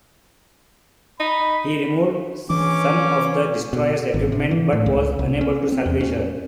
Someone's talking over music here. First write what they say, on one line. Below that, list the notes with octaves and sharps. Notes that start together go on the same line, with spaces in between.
He removed some of the destroyer's equipment but was unable to salvage her.
D#4 B5
E3 C#4 D4 D6
B2
G#1
C3
E3
A2
C#2
C2
C#4
C4
E2
C#4